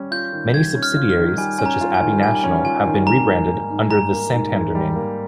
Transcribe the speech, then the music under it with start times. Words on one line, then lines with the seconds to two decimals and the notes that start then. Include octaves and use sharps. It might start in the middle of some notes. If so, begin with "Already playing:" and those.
Many subsidiaries, such as Abbey National, have been rebranded under the Santander name.
Already playing: G3 C#4
0.11 F4 G6
0.33 D#3
0.54 G3 G#6
0.75 C#4
0.83 F6
0.97 F4
1.10 F6
1.16 D#3
1.38 G3 G#5
1.59 C#4 G#5
1.66 A#5
1.81 F4
1.94 G#5
2.01 D#3
2.22 G3 G#5
2.44 C#4
2.64 F4 G#5
2.85 D#3
3.06 G3 A#5
3.27 A#3
3.49 G#2
3.70 G#2
3.90 G3 A#5
4.12 A#3
4.34 G#2
4.55 G#2
4.75 G3
4.96 A#3